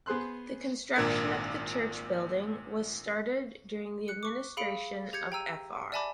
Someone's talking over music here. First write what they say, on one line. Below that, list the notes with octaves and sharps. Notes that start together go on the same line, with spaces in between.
The construction of the church building was started during the administration of Fr.
B3 G#4 C5 C6 F#6
G#1 A#2 D4 A#4 G#6
F#6 C#7
C#6 D6
G#4 F5 B5 C#7 D7 F#7
G4 G6 G#6 C#7
G5 A#5 E6 D#7
D5 E5 G#5 A5 B5 D6